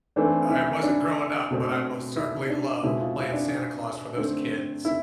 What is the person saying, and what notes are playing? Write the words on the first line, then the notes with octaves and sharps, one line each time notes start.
I wasn't growing up, but I most certainly loved playing Santa Claus for those kids,
E3 A3 C4 D4
E4
D4
B2 A3 C4
E4
D4
B2 G#3 C4 E4
F4
E4
D4
D3 A3 C4
E4